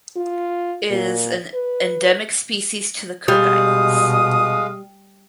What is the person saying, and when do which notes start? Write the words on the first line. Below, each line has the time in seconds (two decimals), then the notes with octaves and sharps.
It is an endemic species to the Cook Islands.
0.17 F4
0.91 A#2
1.53 B4
3.28 B2 G3 G#3 F5 D#6